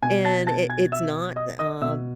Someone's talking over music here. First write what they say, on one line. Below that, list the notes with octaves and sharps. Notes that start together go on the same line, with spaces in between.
and it it's not, uh,
B2 G#5 G#6
A5 A6
A5 A6
G#5 G#6
E5 E6
D#5 D#6
D#5 D#6
B2 E5 E6